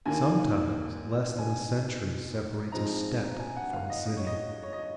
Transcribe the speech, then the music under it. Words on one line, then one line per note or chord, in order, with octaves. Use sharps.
Sometimes less than a century separates a steppe from a city.
D#2 D#3 A#3 G#5
G#5
G#2 F3 G#3 C4 D#4 A#5
G#5
F#5
F5
D#5
D#5
C#5
D#5
C#5
D#5